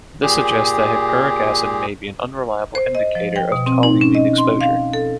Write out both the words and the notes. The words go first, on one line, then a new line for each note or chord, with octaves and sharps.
This suggests that hippuric acid may be an unreliable indicator of toluene exposure.
A#2 G4 G#4
C5
D#5
F3
G5
B2
C4
D#4
C#4
D#5
C6
F5
A4